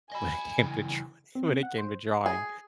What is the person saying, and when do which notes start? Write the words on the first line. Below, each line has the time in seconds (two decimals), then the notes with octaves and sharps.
when it came to dr when it came to drawing.
0.12 D#5 G#5 B5
0.61 C#3 E3
1.35 C4
1.63 F#5
1.78 C5
2.26 G#4